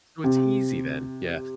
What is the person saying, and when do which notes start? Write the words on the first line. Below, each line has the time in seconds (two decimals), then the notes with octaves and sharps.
so it's easy then. Yeah.
0.24 C3